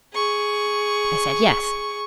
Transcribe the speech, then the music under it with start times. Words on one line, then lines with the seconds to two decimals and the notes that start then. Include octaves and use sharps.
I said yes.
0.13 G#4 C#6